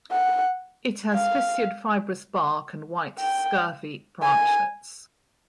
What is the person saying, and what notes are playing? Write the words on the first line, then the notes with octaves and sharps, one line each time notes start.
It has fissured fibrous bark and white scurfy branchlets.
F#5
F5
G5
G#5